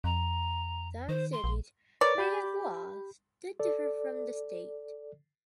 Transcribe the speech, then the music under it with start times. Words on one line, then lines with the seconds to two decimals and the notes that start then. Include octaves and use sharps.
Some cities may have laws that differ from the state.
0.04 F2 A#5
1.09 D#3 C5
1.32 C6
1.44 A#1
2.01 A#4 B4 C#5 D5
2.18 G4 B5 G6
3.59 A4 D5